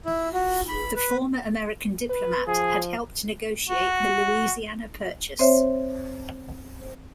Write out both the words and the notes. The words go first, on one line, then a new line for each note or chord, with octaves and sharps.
The former American diplomat had helped negotiate the Louisiana Purchase.
E4
F#4
B5
B4
B4
F3 G#4
F#4
C4 C5 C#5 E5